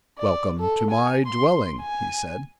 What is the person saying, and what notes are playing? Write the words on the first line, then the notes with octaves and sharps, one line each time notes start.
"Welcome to my dwelling," he said.
D5
A4
G#5
C6
G#5